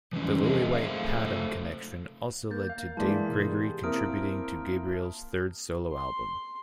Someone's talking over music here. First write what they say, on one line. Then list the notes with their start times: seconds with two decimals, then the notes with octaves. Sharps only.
The Lillywhite-Padgham connection also led to Dave Gregory contributing to Gabriel's third solo album.
0.13 E3 G3 A3 C#4 D4
0.43 G#4 A#4 D#5 E5 F#5
0.72 A3 C5 F5
2.51 A#3 G6 A6
2.69 F5
2.97 E3 G#3 A#3 G#4 D5 A5 C6 B6
3.30 B2
3.52 G4
3.83 A#3 C4 E4 A#4 D#6 F6 D7
5.92 C6